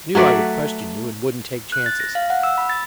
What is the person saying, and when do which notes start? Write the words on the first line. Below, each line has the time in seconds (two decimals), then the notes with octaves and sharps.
Knew I would question you and wouldn't take chances.
0.15 F#3 A3 B4 D5
1.72 F#6
1.86 A6
2.00 A#6
2.15 F5
2.30 F#5
2.43 E6
2.58 B5
2.70 A6